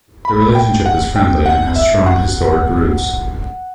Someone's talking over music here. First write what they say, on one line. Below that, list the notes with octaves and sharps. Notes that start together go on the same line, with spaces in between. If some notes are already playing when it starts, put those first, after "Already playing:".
The relationship is friendly and has strong historic roots.
B5
G5
F#5
G5
F#5
E5
F#5